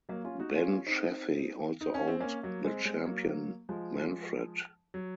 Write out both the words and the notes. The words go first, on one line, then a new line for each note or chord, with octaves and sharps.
Ben Chaffey also owned the champion Manfred.
F#3 A#3
C#4 F4
D#4 F#4
C#4 F4
C4 D#4
D#4
C#4
C4
A#3 C#4
F#3 A#3
G#3 C4
G#3 C4
F#3 A#3
F3 G#3
F#3